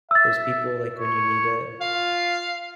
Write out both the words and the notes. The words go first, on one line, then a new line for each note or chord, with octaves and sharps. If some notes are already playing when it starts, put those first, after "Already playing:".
those people, like, when you need it.
E5 E6 A6
C#5
F4 F5